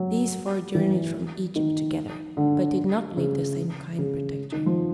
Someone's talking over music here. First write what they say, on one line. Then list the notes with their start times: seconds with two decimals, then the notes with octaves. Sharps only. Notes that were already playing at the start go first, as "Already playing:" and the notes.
These four journeyed from "Egypt" together--but did not leave the same "kind protector."
Already playing: F#3
0.75 E3
1.56 D#3
2.37 D3
3.17 C#3
3.98 C#3
4.52 D#3
4.66 F3